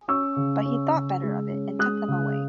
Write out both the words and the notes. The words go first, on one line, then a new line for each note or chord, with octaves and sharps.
But he thought better of it, and took them away.
C#4 C#6 E6
C#3
C#4
C#3
G#3
C#4
G#3 D#6 F#6
C#3